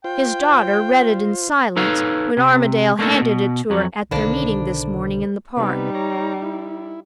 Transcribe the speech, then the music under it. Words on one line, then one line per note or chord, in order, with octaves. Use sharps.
His daughter read it in silence, when Armadale handed it to her at their meeting this morning, in the park.
F4 C5 G5
D#4 A4 B4 C#5 F5
C3
A3 A#3 D4 D#4 A4
B2
F2 F#3
B1 D3 D#3 A#3 D4 A4 C5 B5
C3 G3 B3 D#4 B4
C#5 A#5
E4